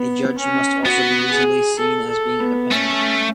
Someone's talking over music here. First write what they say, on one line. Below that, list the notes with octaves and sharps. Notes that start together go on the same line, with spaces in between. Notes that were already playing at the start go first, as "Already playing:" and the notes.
A judge must also be reasonably seen as being independent.
Already playing: B3
C#4
B3 F#4
G#4
A4
A4
B3
A3 C#4